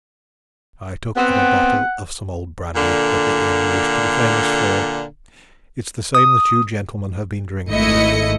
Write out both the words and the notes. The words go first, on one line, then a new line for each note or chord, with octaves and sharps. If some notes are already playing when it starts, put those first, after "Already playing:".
I took up a bottle of some old brandy that the inn used to be famous for--it's the same that you gentlemen have been drinking.
B3 C4 F#5
A#2 D3
D#6
G#1 A3 E4 D#5 C#7